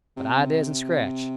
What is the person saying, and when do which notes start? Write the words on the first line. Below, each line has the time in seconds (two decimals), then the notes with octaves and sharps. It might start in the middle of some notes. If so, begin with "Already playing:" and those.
But I dasn't scratch.
0.17 C3